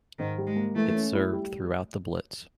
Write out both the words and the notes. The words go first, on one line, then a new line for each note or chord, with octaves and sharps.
It served throughout the Blitz.
G#2 D#3
G3
G#3
A#3
E3 A3
C#4
E4
G3